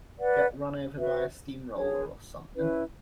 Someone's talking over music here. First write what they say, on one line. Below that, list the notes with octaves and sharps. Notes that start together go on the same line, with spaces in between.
Get run over by a steam-roller or something?
B4 D5 F#5
F#4 B4 E5
D4 G#4 C#5
C#4 E4 B4